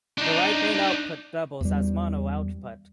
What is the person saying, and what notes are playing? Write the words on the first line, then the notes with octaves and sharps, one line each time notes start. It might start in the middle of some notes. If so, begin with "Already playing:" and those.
The right main output doubles as mono output.
D4 D#4
E2 G3